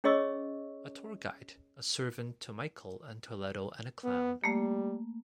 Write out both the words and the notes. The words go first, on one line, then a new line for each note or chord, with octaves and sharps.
A tour guide, a servant to Michael and Toledo and a clown.
C#4 G#4 C#5 D#5 C#6 E6
B3
G3 A3 A#3